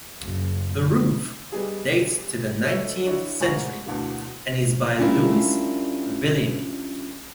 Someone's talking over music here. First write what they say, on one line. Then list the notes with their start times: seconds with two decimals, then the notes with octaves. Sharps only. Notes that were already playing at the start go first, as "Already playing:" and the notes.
The roof dates to the Nineteenth Century and is by Lewis Vulliamy.
0.21 F#1
1.52 G3 B3 D#4 G#4
2.62 D#4 A4 C#5 E5
3.06 D4 E4 F#4 C#5 D#5
3.40 F1 G#2 A#4 G#5 C#6 F#7
3.86 D2 B2 D3 E3 A#3
4.99 G3 C#4 D4 E4 F4 A#4